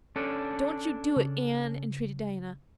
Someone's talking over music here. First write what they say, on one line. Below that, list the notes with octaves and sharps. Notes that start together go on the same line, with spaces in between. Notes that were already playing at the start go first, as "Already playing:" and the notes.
"Don't you do it, Anne," entreated Diana.
C#4 D4 A4
C#3